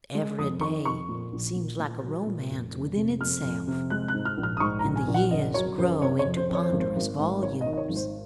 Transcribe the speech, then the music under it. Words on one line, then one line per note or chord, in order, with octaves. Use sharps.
Every day seems like a romance within itself, and the years grow into ponderous volumes.
G#3
F2 D#6
D#3 C#6
F2 C#6
A#2
A#1
A#2
A#2
F#3
A#2
F1
F1
C3
F2 F6
F2
C3
G#3 F#6
F#6
G#2
F6
A#1
F6
D#6
G#2 C#6
A#5
A#1
G#5
A#1
F#5
F#1 D#5
F#3 C#5
F#1 C5
C3 C#5
C#5
F2
C5
F2
C#5
C5
G#1
C5
G#1
G#2
G#1 C#5
D#5
D#3
D#5
C#5
G#1
C5